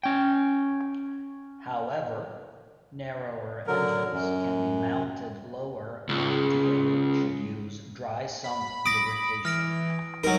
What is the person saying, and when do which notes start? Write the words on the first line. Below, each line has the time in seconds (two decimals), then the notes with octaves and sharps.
However, narrower engines can be mounted lower and ideally should use dry-sump lubrication.
0.03 C#4 G5
3.67 D3 F#3 A#4
4.12 F#2
6.09 C#2
8.44 B5
8.86 D6 D#6 A#6
9.45 E3 F6 A#6 D7
10.24 F#3 D#4 A#4